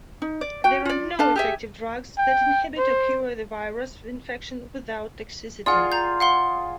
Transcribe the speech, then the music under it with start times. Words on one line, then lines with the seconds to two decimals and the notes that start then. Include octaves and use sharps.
There are no effective drugs that inhibit or cure the virus infection without toxicity.
0.22 D#4
0.41 D5
0.64 F#4 G5
0.85 F4 D5
1.19 D4 A4 F5 A5
1.36 G4 G#4 E5
2.18 G5
2.78 C5
5.66 F4 G#4 D5 F#5
5.92 A#5 G6
6.20 F5 F#5 C6